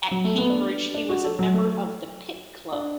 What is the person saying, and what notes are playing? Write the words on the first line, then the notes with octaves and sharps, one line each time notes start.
At Cambridge he was a member of the Pitt Club.
F#3
A3
B3
D4
D4
F#4
A4
F#3
A3
D4